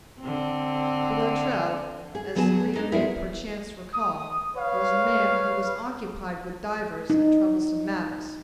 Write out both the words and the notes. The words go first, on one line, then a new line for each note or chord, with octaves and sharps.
Boulatruelle, as the reader may, perchance, recall, was a man who was occupied with divers and troublesome matters.
D3 C4
G#4
D#2 F#3 B3 F#4 G#4 A5
B3
D4 D#4 D#5
F3 B3 E4 G#4 A#4
D#6
B4 C#5 F5
D#4